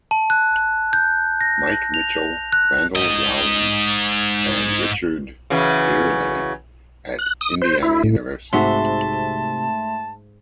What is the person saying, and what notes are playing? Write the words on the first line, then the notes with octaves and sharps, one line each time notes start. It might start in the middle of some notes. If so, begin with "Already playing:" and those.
Mike Mitchell, Randall Rowland, and Richard Bihrle at Indiana University.
A5
F#6
G6
A#6
F7
F#6
G#2 D#5
C#3 E3 F#3
F#6
D#6
C5
E4
A2
G#2 C3 A3 F#4 E5 A5 C6